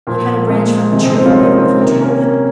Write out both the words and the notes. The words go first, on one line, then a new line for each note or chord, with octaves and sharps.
He cut a branch from a tree and made a whiffle-tree of it.
A#2 F3 A#3
G#3
C3 F3 G#3
G#3 C4
C4 D#4
C#4 F4
D#4
A#3 C#4
G#3 C4
C3 D#3 A#3
A#3 C#4
A#3